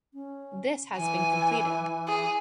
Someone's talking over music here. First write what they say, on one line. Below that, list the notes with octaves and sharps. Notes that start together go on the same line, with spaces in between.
This has been completed.
C#4
E3 G#5
G#4